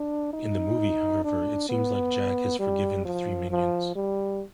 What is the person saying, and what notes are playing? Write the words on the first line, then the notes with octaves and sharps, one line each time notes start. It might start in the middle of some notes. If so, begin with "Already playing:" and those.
In the movie however it seems like Jack has forgiven the three minions.
Already playing: D4
D#4
D4
B3
G3
F3
F3
G3